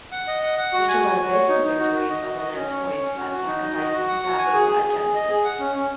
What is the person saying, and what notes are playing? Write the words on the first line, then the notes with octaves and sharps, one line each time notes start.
Mitchell led Abyss to victories over Lance Hoyt at Sacrifice and Sabu at Genesis.
F#5
D#5
F#5
F#5
F#4
G#5
F#4
F#4
C#5
D#4
D#4
F#4
F#4
D#5
F#4
D#5
C#4
C#5
C#5
C#4
F#4
F#4
D#4
D#5
F#4
F#4
F#5
F#4
G#5
G#4
G#4
G#4
G#4
D#5
G#4
F#5
C#4
C#4